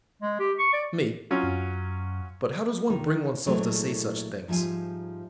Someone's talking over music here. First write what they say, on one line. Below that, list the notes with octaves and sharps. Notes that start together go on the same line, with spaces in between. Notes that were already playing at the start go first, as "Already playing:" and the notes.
ME: But how does one bring oneself to say such things?
G#3
G4
C#6
D5
F#3 C#4 F4
F#2
D#3
A#2 E3 F#3 G#3 A3
G#2 F3 G3 E5 G#5